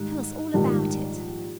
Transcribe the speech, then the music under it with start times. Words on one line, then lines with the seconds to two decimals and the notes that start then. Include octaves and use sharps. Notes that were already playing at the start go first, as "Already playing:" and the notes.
Tell us all about it.'
Already playing: G#2 D#3 G3
0.54 A#1 G#2 D#3 G3